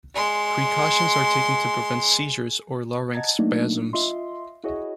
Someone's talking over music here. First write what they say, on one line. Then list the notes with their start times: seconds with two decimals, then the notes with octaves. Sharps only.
Precautions are taken to prevent seizures or larynx spasms.
0.15 G#3 C6
3.13 D#5 F#5 A5 A#5 G#6 A6
3.39 F#3 A3 A#3 D4 D#4
3.93 F4 D#5 E5 C6
4.64 E4 F#4 G#4 C#5 D#5